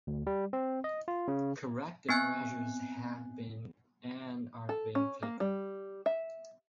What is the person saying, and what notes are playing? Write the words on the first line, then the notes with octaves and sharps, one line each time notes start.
Corrective measures have been and are being taken.
D2
G3
C4
D#5
F4
C#3
B3 C4 G#5 F#6
A4
C#4
A#3
G3
E5